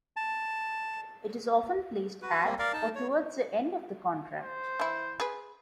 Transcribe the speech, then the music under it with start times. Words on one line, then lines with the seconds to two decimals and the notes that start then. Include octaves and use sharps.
It is often placed at or towards the end of the contract.
0.16 A5
2.22 F#4 B4
2.44 G3 A#3 C4
2.59 A#4 D5 F5
2.73 D#4 A5
2.95 C#5
4.43 C5
4.80 E3 E4
5.20 G#4 B4